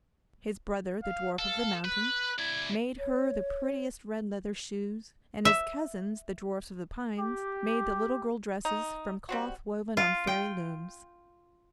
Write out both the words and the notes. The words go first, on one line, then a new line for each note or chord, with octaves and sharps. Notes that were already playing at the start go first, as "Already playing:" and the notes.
His brother, the dwarf of the mountain, made her the prettiest red-leather shoes, and his cousins, the dwarfs of the pines, made the little girl dresses from cloth woven on fairy looms.
F5
A4 F5
B4 F#6
E4 D5 G#6
C#5
E5
G4
D#4
G3 C4 F#4
F4
G5